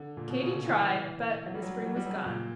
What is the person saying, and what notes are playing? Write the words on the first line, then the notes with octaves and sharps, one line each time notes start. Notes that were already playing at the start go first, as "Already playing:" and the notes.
Katy tried, but the spring was gone.
Already playing: D3
A#2
B2
C#3
D3
E3
F#3
G3
F#3
G3
F#3
G3
F#3
C#3
A#2